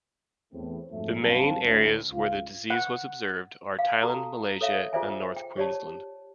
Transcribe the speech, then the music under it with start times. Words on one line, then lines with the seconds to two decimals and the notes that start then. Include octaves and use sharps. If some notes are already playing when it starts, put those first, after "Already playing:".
The main areas where the disease was observed are Thailand, Malaysia and North Queensland.
0.53 E2 A2 C4
0.91 F2 G#2 F#3 A3
1.22 G2 F#3 C4 F5 A5
1.62 D2
2.12 C#2 F4 F5
2.70 F#5
3.79 F5
4.03 F#4 A4 A5 A#5
4.61 A4 C#5 E5 F5
4.93 F4 G#4 C5 D5 E5 G#5
5.36 G5
5.57 G4 C#5 D5 A5